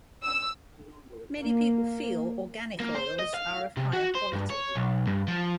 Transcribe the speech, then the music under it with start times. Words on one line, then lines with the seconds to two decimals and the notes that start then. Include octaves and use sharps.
Many people feel organic oils are of higher quality.
0.23 E6
1.41 A#3
2.80 A#3
2.95 C5
3.19 D#5
3.34 F5
3.77 C3
3.93 F#4
4.15 C5
4.33 G2
4.50 C#5
4.75 B1
5.07 G2
5.28 F3